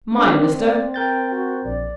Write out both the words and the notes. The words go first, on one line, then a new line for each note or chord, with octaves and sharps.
"Mine, mister."
C4 D4
D5
A#4 G5 G6 A6
F#4
A#1 D5